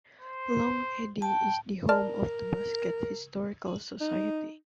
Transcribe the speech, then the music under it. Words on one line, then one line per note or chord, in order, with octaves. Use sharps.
Long Eddy is the home of the Basket Historical Society.
C5
G5 A5
A#4 D5 A5 F6
D#4